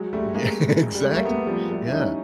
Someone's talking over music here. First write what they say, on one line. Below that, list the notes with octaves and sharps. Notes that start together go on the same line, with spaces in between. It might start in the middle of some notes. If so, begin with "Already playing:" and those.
Yeah, exactly. Yeah.
Already playing: F#3 G#3
G3 A3
G#3 A#3
G3
G#3
A3
A#3
A3 B3
F3 G3
G3 A3
E4
C#4 D#4